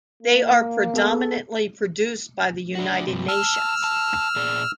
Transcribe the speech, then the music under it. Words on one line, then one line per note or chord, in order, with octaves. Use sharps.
They are predominantly produced by the United Nations.
A#3
B3 G#4 A4
D4 F#4
G2 C3
A5 E6 F6
A5
A#2 G#4 D5